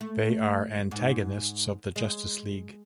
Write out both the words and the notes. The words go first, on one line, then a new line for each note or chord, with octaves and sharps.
They are antagonists of the Justice League.
A3
G#2
G#3